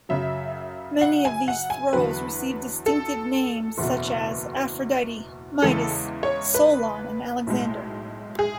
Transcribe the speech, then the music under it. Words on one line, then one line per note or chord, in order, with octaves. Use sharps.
Many of these throws received distinctive names such as: Aphrodite, Midas, Solon, and Alexander.
F#2 C#3 F#3 E5
F#5
G#5
F#5
G#5
E2 D3 F#3 B4
A4
F#1 E2 B2
E2 C#3 E3 G#3 A4
C#5
B4
B1 A2 G#3
G#4